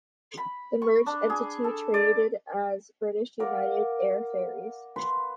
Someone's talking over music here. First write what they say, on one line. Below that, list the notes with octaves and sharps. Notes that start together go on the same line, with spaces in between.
The merged entity traded as British United Air Ferries.
B5
C#6
D4
G#4
A4
D5
A#4 D5 F5 F#5
B4 C6